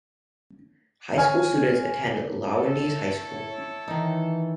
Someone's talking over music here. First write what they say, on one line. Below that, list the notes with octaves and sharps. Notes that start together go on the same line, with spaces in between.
High school students attend Lowndes High School.
C#5 G#5 F6
E4 A4 C#5
D#3 E3 D#4